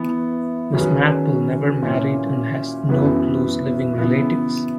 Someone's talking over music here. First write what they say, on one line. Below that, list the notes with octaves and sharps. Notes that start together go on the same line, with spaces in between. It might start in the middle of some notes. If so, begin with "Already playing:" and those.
Miss Marple never married and has no close living relatives.
Already playing: E3 B3 E4
D#3 F#3 C#4 G#4 B4
A#2 A#3 C#4 E4
F#2 E3 B3 E4 B4
C#3 E3 B3 E4